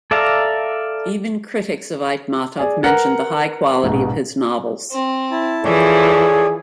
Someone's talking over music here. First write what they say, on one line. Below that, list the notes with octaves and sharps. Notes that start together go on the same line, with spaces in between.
Even critics of Aitmatov mentioned the high quality of his novels.
A4 D5 E5 F5 A#5
G#4 D5
A#4 B4 F#5 A#5
A#1 G#2 B2
C4
E4 A5
E3 F3 G#4 A4 C#5 D5